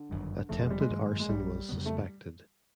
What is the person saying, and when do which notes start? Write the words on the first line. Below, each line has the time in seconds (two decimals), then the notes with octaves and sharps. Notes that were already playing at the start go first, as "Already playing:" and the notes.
Attempted arson was suspected.
Already playing: D3
0.09 G1 F#2 D#3 G3
0.49 F1 F2 C#3 F3 A3
0.60 G#3
0.70 G3
0.80 G#3
0.90 G2 D#3 F#3 A#3
1.19 G#3
1.29 A#1 A2 F#3 G3
1.69 F2 C#3 F#3 B3
1.86 A3